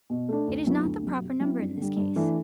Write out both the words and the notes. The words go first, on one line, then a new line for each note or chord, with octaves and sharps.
It is not the proper number in this case.
B2
A3 D4
D2
C3 F#3 B3 E4
D2
C3 F#3
C3
F#3 C4 E4
G2
D3 G3
G2
E3 A3 D4